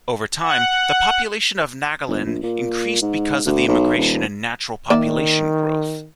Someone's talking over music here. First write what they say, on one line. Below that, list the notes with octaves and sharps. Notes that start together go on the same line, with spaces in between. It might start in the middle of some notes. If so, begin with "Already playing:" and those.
Over time, the population of Naghalin increased because of immigration and natural population growth.
F#5
G1
A#1
A#2
G#2
D2
B1
D#1
D#3 A#3 D5 E5